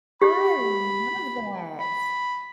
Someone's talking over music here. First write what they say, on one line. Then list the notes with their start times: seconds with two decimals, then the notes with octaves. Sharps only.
I love that.
0.22 G4 B5
1.80 B5